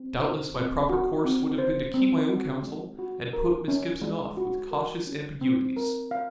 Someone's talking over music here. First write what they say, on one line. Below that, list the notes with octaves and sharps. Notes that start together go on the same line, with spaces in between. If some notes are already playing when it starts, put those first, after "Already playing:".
Doubtless my proper course would have been to keep my own counsel and put Miss Gibson off with cautious ambiguities.
Already playing: C4
C5
C4
F#4
C4
C5
C4
F#4
G#3
F#4
A#4
C#4
G#3
F#4
A#4
C#4
C4
A#4
F5